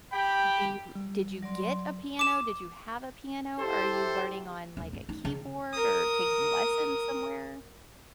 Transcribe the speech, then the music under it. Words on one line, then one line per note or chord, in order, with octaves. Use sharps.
Do you did you get a piano? Did you have a piano? Are you learning on, like, a keyboard or taking lessons somewhere?
G4 G5 B5
G3
F#3 D5 C6
D6 E7
E4 G4 A4 C5
D#1
G#2
D#4
C#3
A#4 D#6